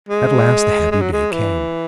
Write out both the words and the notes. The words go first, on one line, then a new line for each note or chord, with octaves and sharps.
At last the happy day came.
G#3
G#3
F#3
G#3
E3